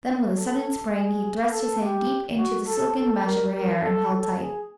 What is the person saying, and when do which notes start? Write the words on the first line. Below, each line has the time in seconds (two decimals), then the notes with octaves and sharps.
Then with a sudden spring he thrust his hand deep into the silken mesh of her hair and held tight.
0.36 A4
0.94 G#4
1.52 A4
1.81 G4
2.38 F#4
2.67 A4
2.96 A4
3.25 A#4
3.54 A#4
3.83 A4
4.12 A4
4.41 G#4